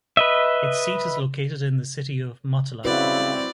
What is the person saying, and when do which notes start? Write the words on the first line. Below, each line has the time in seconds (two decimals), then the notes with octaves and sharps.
Its seat is located in the city of Motala.
0.17 B4 D#5 E5
2.85 C#3 G3 C4 E4 F#4 B4 D5